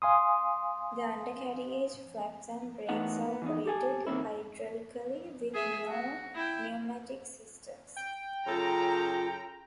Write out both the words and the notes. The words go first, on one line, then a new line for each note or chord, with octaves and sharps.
The undercarriage, flaps and brakes are operated hydraulically, with no pneumatic systems.
F5 G#5 C6 D#6
E3 A3 B3 D#4 D#5 F#5
B3
E3 B3 D#4
G4 A4 G#5
D#3 A#3 C4 C#4 E4
G#4 E5
F#4
E4 G5
G5
F#2 C#3 F4 A4 A#5